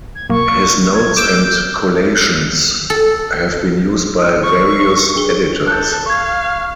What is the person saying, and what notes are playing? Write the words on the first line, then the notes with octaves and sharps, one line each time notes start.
His notes and collations have been used by various editors.
G#6
B1 A#3 C#6
G#6
D6 E6 G6 D7
A4
C#6
D4 G#4 G7
A4 F#6 G6
F5 C#6 G#6